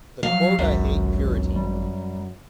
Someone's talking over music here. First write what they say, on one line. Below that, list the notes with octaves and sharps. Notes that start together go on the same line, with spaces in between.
The quote I hate purity.
F3 F#3 F5
G#1 C#2 F#2
G3